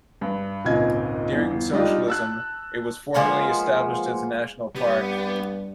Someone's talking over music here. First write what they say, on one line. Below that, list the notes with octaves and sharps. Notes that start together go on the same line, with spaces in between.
During socialism, it was formally established as a national park.
G2
G#1 C#2 A#2 D#5 G#6
G1 E2
G3 D4 D#4 F4 G4
A5 E6 F#6
F3 G#3 A#3 B3
G2 B3 G4